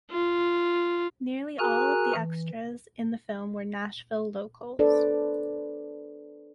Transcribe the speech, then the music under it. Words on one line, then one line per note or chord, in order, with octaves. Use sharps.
Nearly all of the extras in the film were Nashville locals.
F4
F#4 G#4 A#4 G#5 A#5 F#6
E3
D4 A4 B4 C5 D5